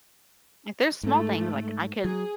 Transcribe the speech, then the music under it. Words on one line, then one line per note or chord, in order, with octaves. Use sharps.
like, there's small things, like, I could
G#2 A3
F#3 G#4